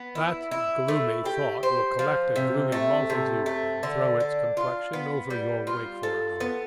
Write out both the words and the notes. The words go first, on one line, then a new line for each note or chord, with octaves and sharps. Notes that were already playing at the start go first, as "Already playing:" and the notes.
That gloomy thought will collect a gloomy multitude and throw its complexion over your wakeful hour.
Already playing: B3
E4
E4
A3
G4
C5
F3
C3
A3
C3
A3
D3
D4
F4
B3
G3
F4
A4
B3